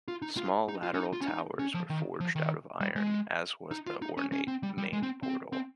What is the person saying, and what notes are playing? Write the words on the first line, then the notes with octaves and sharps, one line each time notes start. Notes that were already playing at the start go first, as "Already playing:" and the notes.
Small lateral towers were forged out of iron, as was the ornate main portal.
F4
D#4
F4
D#4
F4
C#4
D#4
F4
C#4
D#4
C#4
F3
D#3
F3
D#3
G3
G#3
D#4
F4
D#4
C#4
C#4
C4
G3
G3
G#3
C4
C4
C4